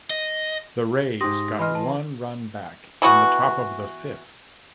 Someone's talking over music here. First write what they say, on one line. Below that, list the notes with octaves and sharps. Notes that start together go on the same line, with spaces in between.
The Rays got one run back in the top of the fifth.
D#5
G#2 G4 C6 D#6 A#6
E3 D#5 B5 C6 F6
A5
E3 B3 F#4